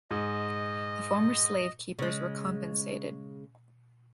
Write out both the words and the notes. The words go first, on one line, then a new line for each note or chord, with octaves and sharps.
The former slave keepers were compensated.
G#2 D#5
C#3 G#3